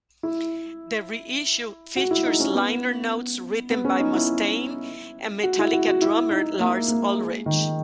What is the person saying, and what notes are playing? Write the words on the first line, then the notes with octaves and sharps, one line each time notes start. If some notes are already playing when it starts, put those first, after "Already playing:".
The reissue features liner notes written by Mustaine and Metallica drummer Lars Ulrich.
E4
F#4
E4
D#4
C#4
B3
B3
C#4
D#4
E4
F#4
E4
F#4
F#4
E4
D#4
A#3
A#3
G#3
D#3